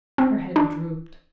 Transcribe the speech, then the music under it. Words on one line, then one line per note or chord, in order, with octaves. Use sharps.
Her head drooped.
C4
D4